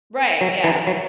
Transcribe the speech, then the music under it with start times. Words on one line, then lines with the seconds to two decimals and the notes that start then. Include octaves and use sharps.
Right, yeah.
0.41 F#3
0.64 E3
0.87 F#3